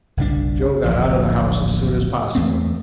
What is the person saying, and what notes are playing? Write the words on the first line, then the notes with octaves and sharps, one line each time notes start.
Joe got out of the house as soon as possible.
F#1 B1 G3 D4
D1 A#1 D#2
E2 A3 B3 C4